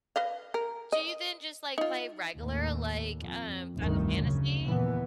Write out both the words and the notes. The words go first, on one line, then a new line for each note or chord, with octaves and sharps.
do you then just, like, play regular, like, um, Final Fantasy?
B4 D#5 F5
A#4
D#5
D#4 F4
D#2 A2
F2
F1 D2 G2 D#3
F#2 C#3
D#2 A#2 E3 B3